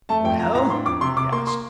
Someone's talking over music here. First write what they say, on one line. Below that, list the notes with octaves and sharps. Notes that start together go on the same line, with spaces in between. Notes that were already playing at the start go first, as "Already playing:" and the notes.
"Well?" he asked.
A3 A5
F2 G5
F4 A#5
A2 A#5
D4 C6
F2 D6
C3 C6
C3 D6
A#3 C6
C6